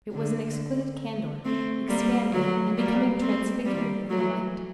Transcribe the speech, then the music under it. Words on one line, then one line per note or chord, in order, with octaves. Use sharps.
It was an exquisite candor expanding and becoming transfigured in the light.
D3
A3 C4
G3 A#3
F#3 A3
G3 A#3
A3 C4
G3 A#3
F#3 A3